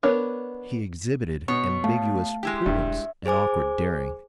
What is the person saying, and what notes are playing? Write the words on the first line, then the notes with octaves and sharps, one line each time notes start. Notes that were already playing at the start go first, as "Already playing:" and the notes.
He exhibited ambiguous prudence and awkward daring.
B3 D4 A#4 C#5
B2 C#5 C#6
A3 F5 A5
G#3 E4 G4
E1 G2 E5
G#4 C5 G#5 D6